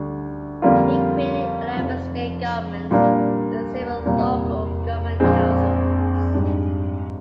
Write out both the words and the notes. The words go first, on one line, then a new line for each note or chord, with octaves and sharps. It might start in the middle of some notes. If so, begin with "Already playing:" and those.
He created eleven state governments and several local government councils.
Already playing: D2 D3 G3 D4
F2 D3 G3 A#3 F4
F1 F2 C3 F3
A#2 G3 A#3 D4
C2 A#2 G3 A#3
A#1 A#2 G#3 C4
G#2 G3 D4